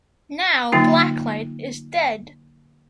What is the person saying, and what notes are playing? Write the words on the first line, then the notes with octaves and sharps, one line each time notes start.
Now Blacklight is dead.
D3 F#3 A#3 D#4 F4